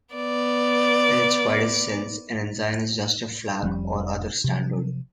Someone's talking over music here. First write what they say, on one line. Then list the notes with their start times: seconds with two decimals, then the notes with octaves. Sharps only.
In its widest sense, an ensign is just a flag or other standard.
0.15 B3 D5
3.63 F1 F3 G3 C#4
4.44 C3 F3